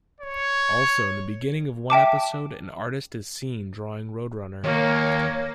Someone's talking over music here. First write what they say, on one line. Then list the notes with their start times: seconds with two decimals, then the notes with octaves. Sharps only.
Also, in the beginning of one episode, an artist is seen drawing Road Runner.
0.21 C#5
1.90 E5 G5 A5 D6
4.64 D#2 A#3 C#5